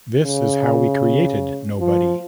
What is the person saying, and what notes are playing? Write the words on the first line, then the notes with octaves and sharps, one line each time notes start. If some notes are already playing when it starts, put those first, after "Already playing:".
This is how we created Nobody.
C#3
F3